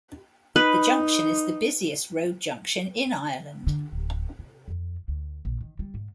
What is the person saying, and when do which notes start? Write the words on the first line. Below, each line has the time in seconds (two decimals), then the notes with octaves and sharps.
The junction is the busiest road junction in Ireland.
0.56 D#4 B4
3.67 D3
3.92 D1
4.39 C3
4.68 F2
5.08 D2
5.45 A#1
5.61 D#3
5.79 G3
5.94 G#2